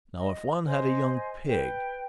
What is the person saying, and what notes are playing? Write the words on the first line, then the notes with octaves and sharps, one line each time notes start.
Now, if one had a young pig!
D#5
C5 D#5 G#5 C6
B4 G5